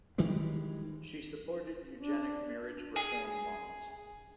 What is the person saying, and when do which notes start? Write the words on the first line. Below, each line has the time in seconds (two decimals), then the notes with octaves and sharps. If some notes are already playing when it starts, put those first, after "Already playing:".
She supported eugenic marriage reform laws.
0.18 D#3 E3 G3 G#3
1.99 D4
2.96 G#4